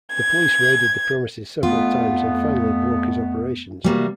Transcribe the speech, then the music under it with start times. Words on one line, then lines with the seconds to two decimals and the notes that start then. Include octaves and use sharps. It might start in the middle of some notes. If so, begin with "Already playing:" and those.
The police raided the premises several times and finally broke his operations.
0.14 G#6
1.63 F2 A3 B3 F4
3.84 C3 G3 A#3 F#4